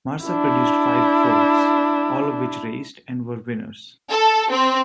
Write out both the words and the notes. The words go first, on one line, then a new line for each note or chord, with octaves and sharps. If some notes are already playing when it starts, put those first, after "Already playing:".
Marsa produced five foals, all of which raced and were winners.
D4 E4
A4
C4